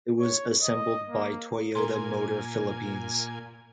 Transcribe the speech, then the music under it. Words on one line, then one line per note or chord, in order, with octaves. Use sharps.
It was assembled by Toyota Motor Philippines.
C#5
D#5
A#3
A#2 A#4 G#5 A#5 C6